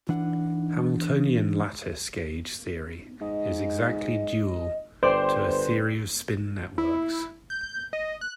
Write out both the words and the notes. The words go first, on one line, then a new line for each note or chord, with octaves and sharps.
Hamiltonian lattice gauge theory is exactly dual to a theory of spin networks.
E3 D4 F#5
G#2 D#5
G1 B4 C5 D5 G5 C7
E4
G6
D#5
F#6